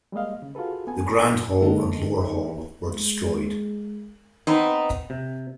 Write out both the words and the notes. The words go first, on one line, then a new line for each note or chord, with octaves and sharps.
The Grand Hall and Lower Hall were destroyed.
G3 G#3 A#3 D#5 F5
C#3
F4 F#4 G#4 A4 B4
B3 A4 G#5
A4
D3 G#3 A#3 D#4 A4
G#3
B3 C4 D#4
C3